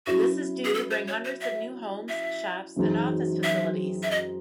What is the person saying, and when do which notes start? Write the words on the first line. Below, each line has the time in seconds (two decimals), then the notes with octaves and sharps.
This is due to bring hundreds of new homes, shops and office facilities.
0.07 F#3 C#4 E4 F#4
0.65 G#4
0.74 A4
0.91 C5
1.08 C#5
1.25 C5
1.42 E5
2.09 E5
2.76 F#2 E3 G#3 C4 D#4
3.44 E5
4.03 E5
4.11 D#5